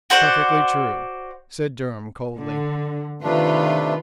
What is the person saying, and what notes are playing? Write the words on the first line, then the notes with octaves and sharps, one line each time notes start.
"Perfectly true," said Durham, coldly.
F#4 C5 D5 F#5
D3
C3 D#3 A3 D4 F4 B4